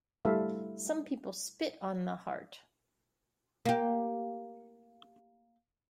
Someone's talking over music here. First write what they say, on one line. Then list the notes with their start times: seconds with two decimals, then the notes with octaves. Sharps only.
Some people spit on the Heart.
0.25 G3 A3 E4 A4 E5 F5
3.65 A#3 G4